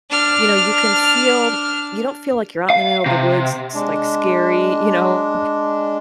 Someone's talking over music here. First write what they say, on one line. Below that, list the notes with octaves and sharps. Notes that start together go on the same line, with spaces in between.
you know, you can feel you don't feel like you're out in the middle of the woods, s like scary, you know,
D4 F6
F5
C3
G#3 D4